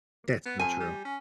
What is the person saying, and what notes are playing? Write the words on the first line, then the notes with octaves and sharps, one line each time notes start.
That's so true.
B3
F2 G#5
G3
C#4